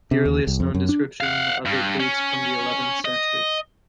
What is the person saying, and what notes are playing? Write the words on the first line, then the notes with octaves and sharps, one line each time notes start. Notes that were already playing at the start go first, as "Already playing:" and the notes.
The earliest known description of it dates from the eleventh century.
C3
D#2
C2
F2
F#2
D4
F5 F#5
G2
C#4
D#5